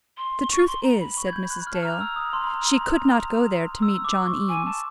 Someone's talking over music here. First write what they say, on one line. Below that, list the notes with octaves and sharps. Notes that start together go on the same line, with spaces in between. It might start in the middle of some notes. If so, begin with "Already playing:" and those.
"The truth is," said Mrs. Dale, "she could not go there to meet John Eames."
C6
C#6
C6
A#5
B5
C#6
G#6
G6
F#6
F#6
F6
A5
A#5 F6
E6
D#6
C6
E6
D6
C#6
G#5 D6
A5